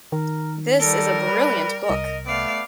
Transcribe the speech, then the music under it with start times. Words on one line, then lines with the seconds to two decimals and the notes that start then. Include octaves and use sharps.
This is a brilliant book.
0.12 D#3 A#4
0.80 G3 A4 A#4
1.27 B4
1.90 C2 D#5
2.26 A3 B3 D5 F5